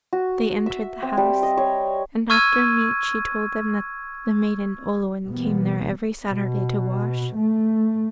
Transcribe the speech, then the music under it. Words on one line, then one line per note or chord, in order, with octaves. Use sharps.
They entered the house, and after meat she told them that the maiden Olwen came there every Saturday to wash.
F#4
E5
C4
G3
D#5
C#5
C#6 E6 F6 G#6 D#7
B2 E3 G3 A#3 B3
B2
A3